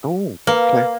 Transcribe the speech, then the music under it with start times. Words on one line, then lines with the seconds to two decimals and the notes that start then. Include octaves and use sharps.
Oh, 'kay.
0.47 A#3 B4